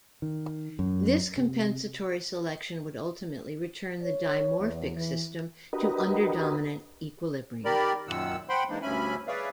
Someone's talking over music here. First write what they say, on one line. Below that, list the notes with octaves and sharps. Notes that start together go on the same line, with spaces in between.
This compensatory selection would ultimately return the dimorphic system to underdominant equilibrium.
D#3
F#2
C3
C#5
E2
E3
D4 F#4 G4 A#4 B4 D#5
D#3 G4 A#4 D5 B5
F#2 A#2 D#3 F#5 E6
C5 F#5 G5 B5 C6
E3 G#3 A#3 D4 D#4
D2 G2 C#4 E5 G#5 B5
G#4 B4 C#5 D5 E5 F5